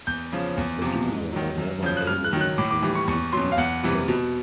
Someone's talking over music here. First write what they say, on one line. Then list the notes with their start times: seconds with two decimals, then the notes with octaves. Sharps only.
The duo are never able to defeat him.
0.07 E2 G6
0.32 C#3 F3
0.57 E2
0.82 C3 F3
1.08 G#2
1.32 D#3 F#3
1.58 F#2
1.82 C#3 F3 G6
1.97 F#6
2.07 G2 F6
2.24 F#6
2.33 D#3 F#3
2.41 F#6
2.58 A2 D6
2.71 D6
2.83 E3 G3
2.95 C#6
3.08 E2 C#6
3.33 B2 F#3 C6
3.52 F5
3.58 E2 F#5
3.83 C3 E3 G3
4.08 B2